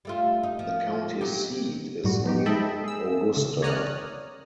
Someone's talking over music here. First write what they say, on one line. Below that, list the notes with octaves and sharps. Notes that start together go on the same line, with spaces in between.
The county seat is New Augusta.
G3 A3 F4
D#4
F3
F#3 D#4 G4
F#2 A2 G3 F#4
F3 B3 D#4 G4
A4 D#5 E5 G5 A5 B5
G#4 E6
C#3
C#5 D5 A#5 D#6 F6 F#6